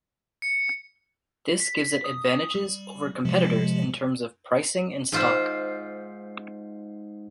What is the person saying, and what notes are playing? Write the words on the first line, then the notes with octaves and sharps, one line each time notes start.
This gives it advantages over competitors in terms of pricing and stock.
C#7
B6
D#6
G3
C3 F3 G#3
G#2 F4 C5